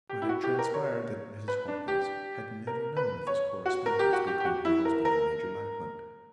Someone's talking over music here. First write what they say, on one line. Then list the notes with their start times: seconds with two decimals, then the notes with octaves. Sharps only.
But it transpired that Mrs. Hawkins had never known of this correspondence between her husband and Major Lackland.
0.09 G4
0.22 E4
0.29 F#4
0.44 G4
0.59 A#4
0.74 C#5
1.48 B4
1.68 D4
1.88 G4
2.67 A#4
2.97 B4
3.27 C#5
3.66 F#4
3.86 A#4
3.99 G4
4.13 F#4
4.27 G4
4.40 G4
4.45 F#4
4.65 E4
4.85 A#4
5.05 A#4